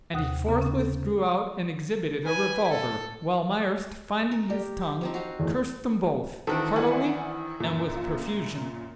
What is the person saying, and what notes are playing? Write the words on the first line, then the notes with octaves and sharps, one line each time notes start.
And he forthwith drew out and exhibited a revolver, while Myerst, finding his tongue, cursed them both, heartily and with profusion.
D#2 C3 F#5 D#6 F#6
C#3 B3
C#4
A4
B4 G#5
A4
A#4
G4 D5
F3 C4 D#4
F#4 F5
E2 A3
D#3 E3 C4 D4 F#4 A4 B4
E4 D5 F#5 G#5
F#2 A#2
F4